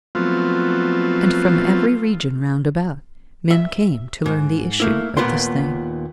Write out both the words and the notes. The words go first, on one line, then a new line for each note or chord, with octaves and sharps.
And from every region round about men came to learn the issue of this thing.
F3 F#3 A3 B3 C4 F4
E5
G#2
A3 A#3 E4
D#2 A#2 B3 F4 C6